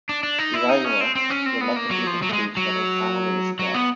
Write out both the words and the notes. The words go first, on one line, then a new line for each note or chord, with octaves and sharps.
Rayla reluctantly concludes that her family is dead.
D4
D4
D#4
E4
D#4
C#4
C4
C4
C#4
C4
B3
A#3
F#3
F3
F#3
A3
G#3
F#3
F#3
B3